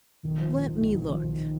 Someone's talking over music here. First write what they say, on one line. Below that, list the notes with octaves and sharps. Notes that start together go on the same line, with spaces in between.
"Let me look."
B1 D#3
F3
A#2
B1
B1
B1
F3
B1